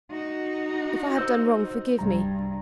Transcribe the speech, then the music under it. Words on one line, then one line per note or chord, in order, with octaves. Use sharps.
If I have done wrong, forgive me.
D#4 F#4
C5 E6 G6
C2 G2 G3 A#5